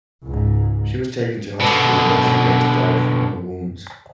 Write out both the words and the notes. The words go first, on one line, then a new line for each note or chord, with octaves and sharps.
She was taken to hospital where she later died from her wounds.
C#2 G#2
B2 D3